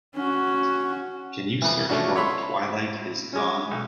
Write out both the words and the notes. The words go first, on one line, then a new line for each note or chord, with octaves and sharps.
Can you search for Twilight Is Gone?
C#4 F#4
F2 E3
F3 A3 C#4 D4 F#4
C#5 E5 B5 C6
G#3 C#4
B1